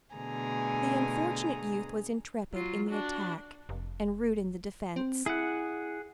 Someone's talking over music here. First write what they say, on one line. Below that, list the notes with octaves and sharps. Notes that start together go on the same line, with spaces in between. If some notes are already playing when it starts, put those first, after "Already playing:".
The unfortunate youth was intrepid in the attack, and rude in the defence.
B2 D3 A3 G#4 G#5 A#5
F#3 F4
D4 F#4
F1
C4
E4 G#4 F#5